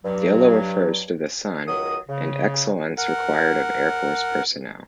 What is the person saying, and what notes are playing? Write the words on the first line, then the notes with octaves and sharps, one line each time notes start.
Yellow refers to the sun and excellence required of Air Force personnel.
G2 F#3
C#2 D#3 F#3 D#6
C#3
A#4 F#5